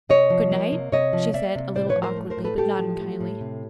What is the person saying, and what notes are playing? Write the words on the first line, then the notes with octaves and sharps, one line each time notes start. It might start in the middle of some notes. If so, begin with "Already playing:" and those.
"Good night," she said, a little awkwardly, but not unkindly.
C3 C#5 D#5
F3
A#3
C3
C3 C#5 D#5
F3
A#3 D5 E5
C3
A2 C5 D5
B4 C#5
F3
A#4 C5
A3
A#4 C5
A2
A4 B4
A2 G4 A4
F3
A3
A2
C3